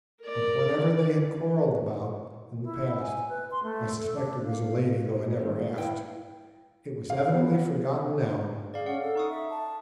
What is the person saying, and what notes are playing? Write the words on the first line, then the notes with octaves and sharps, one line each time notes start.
But whatever they had quarrelled about in the past--I suspect it was a lady, though I never asked--it was evidently forgotten now.
A#4 D5
E4
G#5
B4
C6
A3
A4
D4
F5
D#2 C#3 G3
E4 B4 F5 G5
F5
B3
G#4 D5 F5
C#4 F5 F#5
A4
D#4 C#6 D#6
E5
A5